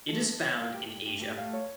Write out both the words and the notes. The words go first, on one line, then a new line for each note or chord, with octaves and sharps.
It is found in Asia.
A3 A4
A4
C#5
F5
A#3 G4
A3
G4
G3
A3 G4
A3
G4
A3
A3 F5
C#5